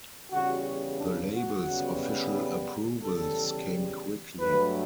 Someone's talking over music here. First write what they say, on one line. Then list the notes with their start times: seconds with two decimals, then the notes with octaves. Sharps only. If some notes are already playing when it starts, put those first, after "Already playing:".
The label's official approvals came quickly.
0.31 E2 C#3 G3 F#4
0.99 D4
1.34 F#4
1.68 F#2 C#3 G3 B3
3.04 E2 C#3 G3 A4
4.39 G2 F#3 A3 B4